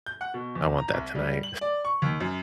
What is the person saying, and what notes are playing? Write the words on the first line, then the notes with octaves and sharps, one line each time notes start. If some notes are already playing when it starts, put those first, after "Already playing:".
I want that tonight
G6
F#5
B2
E2
A#5
C2
G3
F#7
D5
C#6
D#2
F#2